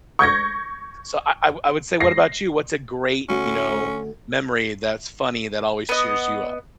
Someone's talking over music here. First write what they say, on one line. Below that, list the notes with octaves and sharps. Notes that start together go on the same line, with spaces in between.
So I I wou I would say, what about you? What's a great, you know, memory, that's funny, that always cheers you up?
C#6 G6 G#6 A#6
A#6 C7
D2 A3 C#4 F#4
B3 D#5